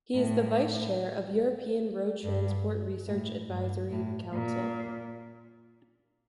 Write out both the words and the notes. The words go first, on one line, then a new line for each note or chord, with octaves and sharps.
He is the Vice Chair of European Road Transport Research Advisory Council.
A2
G2
A2
G2
A2
A#2